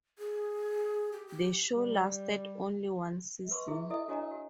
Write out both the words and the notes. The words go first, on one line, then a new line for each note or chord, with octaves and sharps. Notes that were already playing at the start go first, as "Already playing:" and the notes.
The show lasted only one season.
G#4
G4
G4
G3
B4 C6 C#6
E4 G#4 E5
E4 A4 D#5 E5
D4 F#4 C#5 D#5 G#5 A#5
F#4